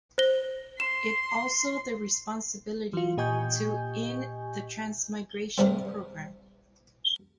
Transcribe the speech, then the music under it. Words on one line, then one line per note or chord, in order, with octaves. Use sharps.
It also the responsibility to in the Transmigration Program.
C5 A#6 G7
C6 E7
E3 F4
A#2 G4 D#5 G#5 C#6 G6
G2 C3 G3 C4